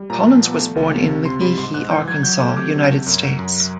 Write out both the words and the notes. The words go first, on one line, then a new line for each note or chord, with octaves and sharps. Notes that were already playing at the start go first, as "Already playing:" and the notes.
Collins was born in McGehee, Arkansas, United States.
Already playing: G3
A#2 A#5
F3
B3
A3
C#2
C3
C3
C3 C6
G3 B5
G#2 C6
G#2 F#6
E3 G6
F#3 G#6
F#3 G6
A3 D6
C3 D6
C3
C3
F#2
F#3
F#2